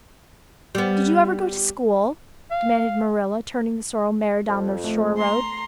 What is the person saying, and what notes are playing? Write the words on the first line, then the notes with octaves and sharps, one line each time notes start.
"Did you ever go to school?" demanded Marilla, turning the sorrel mare down the shore road.
G3 B3
F5
F2
A3
A#5 C6